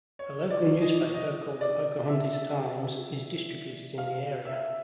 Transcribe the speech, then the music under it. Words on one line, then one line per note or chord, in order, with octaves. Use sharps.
A local newspaper called "The Pocahontas Times" is distributed in the area.
C#5
D5
D#5
D#5
D5
E5
F5
E5